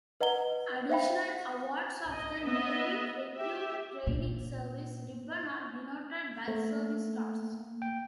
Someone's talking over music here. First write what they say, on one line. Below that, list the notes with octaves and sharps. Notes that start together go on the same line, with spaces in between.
Additional awards of the Navy Recruit Training Service Ribbon are denoted by service stars.
B4 D#5 F#5 A#5 G7
C5 E5 F5 G5 B5
D#5
B3 D#5 E5
G4 E5
A#2
A3 A#3
A#3
G5